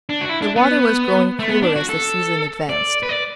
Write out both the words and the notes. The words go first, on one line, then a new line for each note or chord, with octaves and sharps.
The water was growing cooler as the season advanced.
D4
F#4
E4
D4
B3
A3
B3
D4
F#4
A4
D5
B4
D5